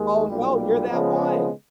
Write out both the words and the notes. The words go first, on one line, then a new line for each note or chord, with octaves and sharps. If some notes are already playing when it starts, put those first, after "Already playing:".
Oh, no, you're that one!
Already playing: D#2 D#3 G#3
B1 A#2 G3
C#3 F3 G#3 B3